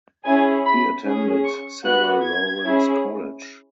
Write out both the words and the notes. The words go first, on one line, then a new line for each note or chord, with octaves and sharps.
He attended Sarah Lawrence College.
C#4 E4 G#4 G#5
B5
C#4 G#4
C#6
B3 F#4 F#6
G#6
C#4 E4 G#4